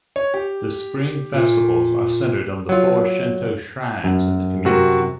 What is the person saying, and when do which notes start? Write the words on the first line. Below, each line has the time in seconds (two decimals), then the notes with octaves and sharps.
The spring festivals are centered on the Four Shinto Shrines in the community.
0.16 C#5
0.34 G4
1.34 A#2
2.69 F#3 F4
4.04 F#2
4.65 C3 F#4 A#4